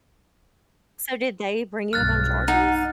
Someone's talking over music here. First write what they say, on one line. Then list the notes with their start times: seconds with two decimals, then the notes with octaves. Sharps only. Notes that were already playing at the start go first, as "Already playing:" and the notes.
So, did they bring it up on charges?
1.93 B1 G2 F6 F#6 A6
2.48 D#4 F#5